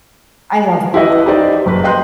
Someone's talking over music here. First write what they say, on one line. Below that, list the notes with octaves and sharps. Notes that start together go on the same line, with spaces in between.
I love both.
E4 G4 B4 D#5
D#4 G4 C5 D5
F#1 B4
D#5 G5 C6 F#6